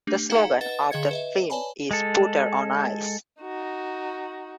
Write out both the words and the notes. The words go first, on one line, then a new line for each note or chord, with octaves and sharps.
The slogan of the film is Putter on Ice.
A3 D4 G4
D#4 G#4 F5 F#5 A#5
B4 D#5 F#5 A6
D3 G#4 D#5 F5 G#6 C#7
B4 D#5 E5
B4 C#5 D5 G#5 A5 B5
G#3 A4
D#4 F#4